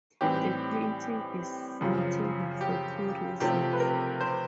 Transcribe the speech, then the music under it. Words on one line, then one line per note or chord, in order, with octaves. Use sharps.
The painting is notable for two reasons.
A2 E3 G3 C4 G4
F#2 C#3 F3
G4
C3 F3 A3 C4 G4
B4
A#4
C5